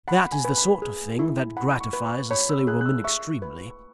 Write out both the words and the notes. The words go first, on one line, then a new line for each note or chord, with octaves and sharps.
That is the sort of thing that gratifies a silly woman extremely.
F#5 B5
G#5
B4
B5
G#4
E4
F#5 B5
C#6
B4
C#6
C#5 B5
E6
G#4 F#6
F#6
E6
E5 C#6
B4